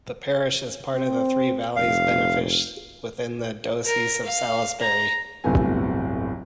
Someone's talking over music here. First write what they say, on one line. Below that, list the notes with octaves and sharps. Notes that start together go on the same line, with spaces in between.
The parish is part of the Three Valleys benefice within the Diocese of Salisbury.
C4
F1 F5
A#4
F5
A#5
D1 G1 C3 A3 B3 G#5